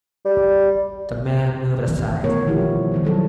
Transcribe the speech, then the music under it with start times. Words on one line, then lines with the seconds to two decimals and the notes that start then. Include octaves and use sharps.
The man moved aside.
0.25 G3
1.87 D#3 E3
2.24 B2 A3 B3 A#4 C#5
2.47 D#3 F3 E4 G4
2.60 G3
2.92 D#3 G3 B3
3.04 D#3 F#3 A4